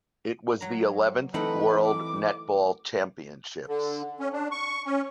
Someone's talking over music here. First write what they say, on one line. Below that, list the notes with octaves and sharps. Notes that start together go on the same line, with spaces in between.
It was the eleventh World Netball Championships.
F#3 A#5
E3 A3 C4 D#4 B4 F#5
D6
D3
C#4
D4
C#6
C#4